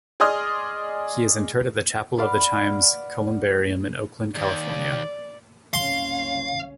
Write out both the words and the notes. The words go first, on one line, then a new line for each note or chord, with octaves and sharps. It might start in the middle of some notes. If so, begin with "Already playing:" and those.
He is interred at the Chapel of the Chimes columbarium in Oakland, California.
G#4 D5 D#5 C6 D#6 F6
B4 D5 F5 F#5
D#2 G#2 D5
F#1 C2 C#4 F5 C6